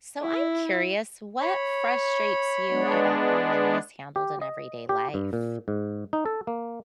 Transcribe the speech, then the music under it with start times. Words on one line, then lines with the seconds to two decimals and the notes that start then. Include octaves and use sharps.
So I'm curious, what frustrates you about how money is handled in everyday life?
0.22 E4
1.41 C#5 B5
2.69 G#3 B3 D4
4.16 G4
4.41 D#5
4.89 G4
5.14 G2
5.33 A#2
5.68 G#2
6.13 D#4
6.26 A4
6.47 A#3